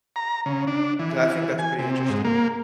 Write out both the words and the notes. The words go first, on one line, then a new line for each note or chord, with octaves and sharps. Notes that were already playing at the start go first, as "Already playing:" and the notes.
'cause I think that's pretty interesting.
A#5
C#3
D4
E3
G#5
C3
G#2
A#3